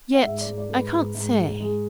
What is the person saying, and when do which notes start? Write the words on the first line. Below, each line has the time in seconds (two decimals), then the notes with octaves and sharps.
Yet, I can't say.
0.13 F#5
0.23 G#2 E5
0.41 D5
0.46 G#2
0.58 D5
0.69 G#2 A4
0.74 B4
0.92 G#2
1.15 G#2
1.38 G#2
1.60 G#3